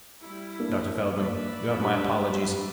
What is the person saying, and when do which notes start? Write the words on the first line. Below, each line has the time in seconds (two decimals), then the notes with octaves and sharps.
Dr. Feldman, you have my apologies.
0.22 G3 E4
0.60 A#3 D4
1.12 B4 D5 E5
1.82 G3 D4
2.30 G3